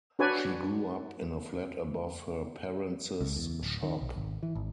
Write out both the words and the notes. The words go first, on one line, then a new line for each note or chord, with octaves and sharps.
She grew up in a flat above her parents' shop.
D4 F#4 B4 C#5 D5 G#5
C#2
E2
D1
D#3
B1
G#1
E3
G#1